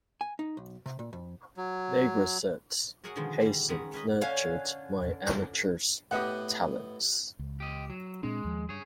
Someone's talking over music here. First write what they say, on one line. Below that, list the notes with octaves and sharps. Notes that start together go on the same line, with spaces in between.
Nagua says: Hassan nurtured my amateur's talents...
G#5
D#4
B1
C3
A#2
F2
F#3
F#4 G#4 A#4 C#5 F#5 G#5
B2 D3 D#3 F3 G#3 B3
G3
D#3 G#3 C#4 F#5 A#5 B5
C#4 B4 D#5 B5
D3 C#4 F5 G#5
A2 B3 G4 D#5 F#5
C#2
G4 D#5
F#3
A#2 G#3 C4 D4
D#2 F3
G2 G#4 C#5